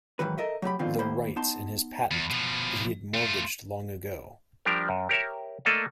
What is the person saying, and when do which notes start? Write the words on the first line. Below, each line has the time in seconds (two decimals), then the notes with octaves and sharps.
The rights in his patent he had mortgaged long ago.
0.19 G#2 B2 D#3 E3 F#3 B4
0.38 A4 A#4 D#5 E5
0.62 F#3 A3 G4 B5
0.79 F2 B2 D3 D#3 C4 F4
0.99 D#2 A#3 C5 B5
1.36 B3 D#4 A5 C6
2.11 E2
2.30 B2 F3
3.14 A3 F4
4.65 F3 G3 D4 G4 A#4
4.89 F#2
5.09 G4 A#4 C#5 E5
5.65 A3 A#3 A4 D5 D#5 F5